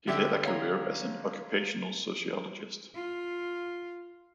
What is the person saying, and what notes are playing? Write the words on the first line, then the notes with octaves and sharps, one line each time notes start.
He led a career as an occupational sociologist.
D3 G4 E5
C#5 F5 A#5
F4